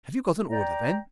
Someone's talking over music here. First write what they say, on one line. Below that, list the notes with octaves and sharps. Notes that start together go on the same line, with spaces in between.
"Have you got an order, then?"
D5 G5 A#5